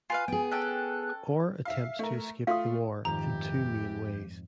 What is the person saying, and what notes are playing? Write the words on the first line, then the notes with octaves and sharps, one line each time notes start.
Orr attempts to escape the war in two main ways.
F4 B4 F5 G#5
B3 G#4 G5
C#4 A4 G5 F#6
E5 F5
A3 A#4
A3 F4 F5 C6 D#6
F2 G#2 D#3 E3 G4 A#5